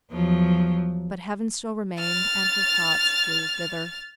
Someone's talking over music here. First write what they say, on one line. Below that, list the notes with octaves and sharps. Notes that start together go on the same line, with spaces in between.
But Heaven still remained, and her thoughts flew thither.
E2 F3 F#3
F6 A6